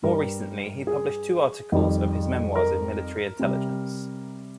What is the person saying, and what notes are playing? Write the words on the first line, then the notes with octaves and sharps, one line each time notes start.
More recently he published two articles of his memoirs in military intelligence.
G2 G3 A#4
G#4
F2 D#3 G3
A#4
C3 G3